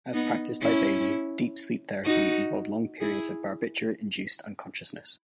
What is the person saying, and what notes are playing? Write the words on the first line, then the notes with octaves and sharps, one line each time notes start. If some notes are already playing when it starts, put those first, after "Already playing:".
As practised by Bailey, deep sleep therapy involved long periods of barbiturate-induced unconsciousness.
B3 D#4
C#4 E4
D#4 F#4
E4 G#4